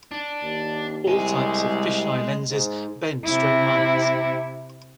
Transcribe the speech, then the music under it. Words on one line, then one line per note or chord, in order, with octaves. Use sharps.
All types of fisheye lenses bend straight lines.
D4
D#2
C2 G#3 G#5
G#2
C3 E4